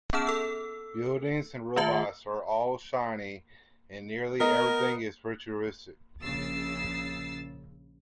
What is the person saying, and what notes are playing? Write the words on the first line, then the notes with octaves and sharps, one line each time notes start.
Buildings and robots are all shiny and nearly everything is futuristic.
B3 C#4 G#4 A5 F6 E7
A4 E6
D#3 A3 F4 E5 A5
B3 A#4 D#5 A#5
A#1 C#3 E6 A6 C7